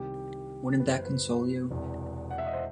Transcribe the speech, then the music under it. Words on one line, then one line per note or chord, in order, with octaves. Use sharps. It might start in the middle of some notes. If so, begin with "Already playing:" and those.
Wouldn't that console you?
Already playing: C2 C3 D#3 G4
F#1 F#2 E3 B4
C5
B4
E1 E2 C3
F#5
E5
D#5
C5